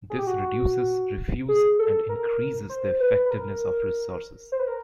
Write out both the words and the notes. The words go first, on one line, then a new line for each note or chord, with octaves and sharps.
This reduces refuse and increases the effectiveness of resources.
G#4
G4
F#4
G#4
A4
A#4
C5
B4
B4
A#4
C5
B4
A#4